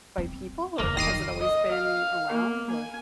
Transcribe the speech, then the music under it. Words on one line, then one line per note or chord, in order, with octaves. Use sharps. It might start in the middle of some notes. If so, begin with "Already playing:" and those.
by people or has it always been around or
C4
E2 C#3 A#3
F1 D#3 G3 A#6 C7 D#7
D#5
F5
A#3
G#5